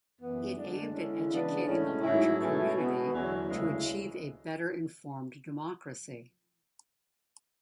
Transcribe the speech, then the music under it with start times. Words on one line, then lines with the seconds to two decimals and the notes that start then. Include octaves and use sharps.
It aimed at educating the larger community to achieve a better informed democracy.
0.20 F#2 E3 B3
0.57 D3 G#3 D4
0.92 D3 G#3 C#4 E4
1.28 C#3 E3 B3 D4
1.65 A2 G#3 C#4
2.02 G#2 F#3 A3 C#4 E4
2.38 B2 A3 C#4
2.75 B2 G#3 B3
3.11 E2 D3 F#3 C#4
3.47 D2 C#3 G#3 C#4 E4